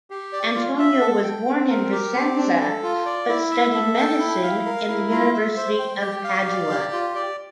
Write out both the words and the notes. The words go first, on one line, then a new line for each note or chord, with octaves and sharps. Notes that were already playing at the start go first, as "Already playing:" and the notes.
Antonio was born in Vicenza but studied medicine in the University of Padua.
G4
D5
F4
E5
A4
G5
C4
A#4
G4
C4
D4
A4
F4
D5
E4
E5
A4
G5
E4
F5
A#4
E4
F4
E5
C5
G5
G4
F5
D5
G4
F4
D5